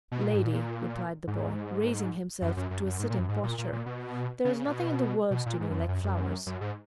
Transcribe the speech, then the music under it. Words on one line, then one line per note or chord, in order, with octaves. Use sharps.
"Lady," replied the boy, raising himself to a sitting posture, "there is nothing in the world to me like flowers."
B2
A#2
G#2
A#2
G#2
F#2
F#2
F#2
F#2
G#2
A#2
F#2
G#2
A#2
A#2
A#2
B2
C#3
C#3
A#2
B2
B2
A#2
G#2
F#2
F2
F#2
F#2
F#2
G#2